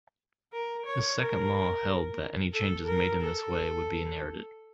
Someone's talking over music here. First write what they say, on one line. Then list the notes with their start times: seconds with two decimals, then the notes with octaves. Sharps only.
His second law held that any changes made in this way would be inherited.
0.53 A#4
0.86 C#5
1.19 A#4
2.53 A4
2.87 A#4
3.20 A4